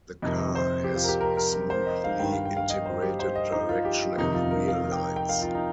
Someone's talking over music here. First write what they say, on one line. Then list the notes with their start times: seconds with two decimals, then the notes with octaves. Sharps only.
The car has smoothly integrated direction and rear lights.
0.22 F2 C3 D#3 D#5
0.39 D#5
0.55 C5
0.84 G4
0.96 F4
1.04 A#4
1.09 G4
1.21 A#4
1.37 A#4
1.54 A#4
1.70 C5
1.87 D#5
2.04 F5
2.19 G2 D#3 G5
2.32 F5
2.45 G5
2.57 F5
2.70 D#5
2.86 C5
3.02 G4
3.19 C5
3.35 D#5
3.52 D#4
3.69 F4
3.85 G4
4.02 F4
4.17 F2 C3 D#3 D#4
4.34 F4
4.51 A#4
4.68 F5
4.92 G5
5.16 G5
5.29 F5
5.42 F4
5.55 D#4